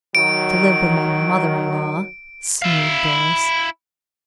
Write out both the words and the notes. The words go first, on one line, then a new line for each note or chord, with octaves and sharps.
"To live with my mother-in-law!" sneered Doris.
D#3 F#3 D7
E4 F5